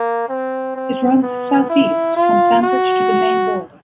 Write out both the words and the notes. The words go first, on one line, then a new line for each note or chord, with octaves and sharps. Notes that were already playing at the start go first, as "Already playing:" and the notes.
It runs southeast from Sandwich to the Maine border.
Already playing: A#3
C4
C4
B3
E4
F4
F#4